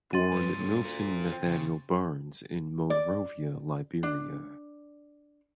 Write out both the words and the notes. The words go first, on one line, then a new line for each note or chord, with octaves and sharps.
Born Milton Nathaniel Barnes in Monrovia, Liberia.
D#3 C6 A6 D#7
G2 E3 C#4
A2
D2 F4 A#4
C4
C#3
D5
D4